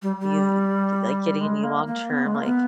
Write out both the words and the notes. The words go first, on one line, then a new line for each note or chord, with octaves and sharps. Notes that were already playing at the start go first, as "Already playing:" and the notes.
be, like, getting any long term, like,
G3
G3
G#3
A#3
A#3
B3
G#3
A#3
B3